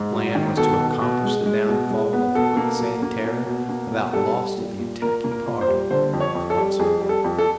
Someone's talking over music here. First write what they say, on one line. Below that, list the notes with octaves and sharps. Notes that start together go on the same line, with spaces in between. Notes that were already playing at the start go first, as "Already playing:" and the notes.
The plan was to accomplish the downfall of the Quicksand Terror without loss to the attacking party, if possible.
Already playing: G#2
F#3
D#3
B2 A4
B2
B2
G#3
G#3
B2
G#3
B3
B2 A4
A#3
F#3
A#3
B2
B2
A#3
B2
G3 A4
G3
A#2
A#2
A#2 A#4
A#3
A#4
A#2
C5
G3
D3 C5
F2
C#5
F2
A4
G3
F2 G#4
G3
A4
F2
A4